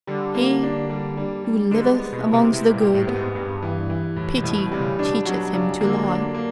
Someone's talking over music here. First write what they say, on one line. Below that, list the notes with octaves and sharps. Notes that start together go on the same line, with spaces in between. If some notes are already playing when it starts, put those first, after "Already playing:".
He who liveth amongst the good--pity teacheth him to lie.
D3 G3
A#3
D4
G3
G3
G3
D3 G#3
B3
B2
E4
C3
C3 E4
A#2
G4
A2
B3
G#2
G2 G3
E3
E3
A2
B2
A2
B2
C3 G3
C#3
B2 D4
B2 F#3
C#3 D4
D3 A#3
D4
A#3